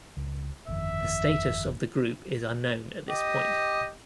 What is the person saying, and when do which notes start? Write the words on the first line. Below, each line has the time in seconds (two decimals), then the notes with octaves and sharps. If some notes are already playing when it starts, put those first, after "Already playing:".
The status of the group is unknown at this point.
0.17 C#2
0.68 G1 F2 D#3 E5
3.09 G4 D#5